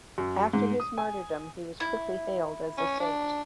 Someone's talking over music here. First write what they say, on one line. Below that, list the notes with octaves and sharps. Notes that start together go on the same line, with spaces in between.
After his martyrdom, he was quickly hailed as a saint.
F#2
G#2
D#6
G#5
E4
C#4
D4